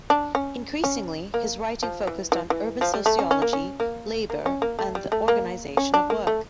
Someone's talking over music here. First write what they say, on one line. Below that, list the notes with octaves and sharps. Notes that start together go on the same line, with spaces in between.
Increasingly, his writing focused on urban sociology, labour, and the organisation of work.
D4
C#4
C#4
A#3
F3
E3
E3
E3
F3
G3
A3
C#4
C#4
A#3
C#4
A#3
A#3
C#4
A#3
A3
G3
A3
A#3
C#4
D4
A#3
A3